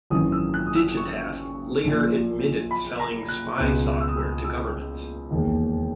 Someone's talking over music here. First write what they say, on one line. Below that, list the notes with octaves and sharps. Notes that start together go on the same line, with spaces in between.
DigiTask later admitted selling spy software to governments.
G#1 F#2 E3 D#6
E6
F#6
D#6
E6
C#6
A#1 A#2
B5
A#5
F#6
C#2 B2 F#6
E6
D#6
E6
E6
E1 D#2 D#3